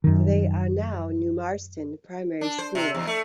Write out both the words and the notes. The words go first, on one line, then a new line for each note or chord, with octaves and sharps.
They are now New Marston Primary School.
F#2 D#3
D4
C5
C3
E2
A3